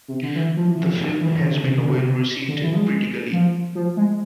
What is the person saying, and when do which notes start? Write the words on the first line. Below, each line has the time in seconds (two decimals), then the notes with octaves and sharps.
The film has been well-received critically.
0.08 C3
0.23 D3
0.36 E3
0.57 F3
0.71 E3
0.83 F3
1.21 E3
1.42 D3
1.63 C3
1.77 D3
1.92 C3
2.48 D3
2.63 E3
2.73 F3
2.77 G#3
3.33 F3
3.75 F3
3.97 G#3